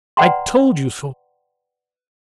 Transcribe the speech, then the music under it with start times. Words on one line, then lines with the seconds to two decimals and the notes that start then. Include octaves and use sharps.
I told you so.
0.17 B4 D5 F#5 G5 A#5 C6